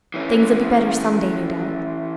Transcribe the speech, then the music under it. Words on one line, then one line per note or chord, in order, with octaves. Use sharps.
Things'll be better some day, no doubt.'
E3 C#4